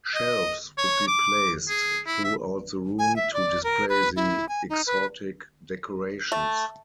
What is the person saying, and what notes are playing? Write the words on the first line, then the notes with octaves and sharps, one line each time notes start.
Shelves would be placed throughout the room to display the exotic decorations.
D#5
C#5
D6
G#4
E4
E5
G#5
E5
D5
A#4
B4
E4
G#5
D#4
B4
A3